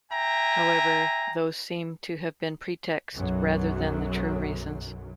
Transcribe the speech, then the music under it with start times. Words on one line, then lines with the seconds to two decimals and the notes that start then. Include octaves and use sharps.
However, those seem to have been pretexts rather than the true reasons.
0.12 E5 G5 G#5 A#5
3.15 B1 F#2 F#3